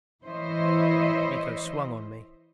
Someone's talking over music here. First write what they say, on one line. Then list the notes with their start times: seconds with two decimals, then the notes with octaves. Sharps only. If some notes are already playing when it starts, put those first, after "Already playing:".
Miko swung on me.
0.24 E3 E4 C5 C#5 D#5 E5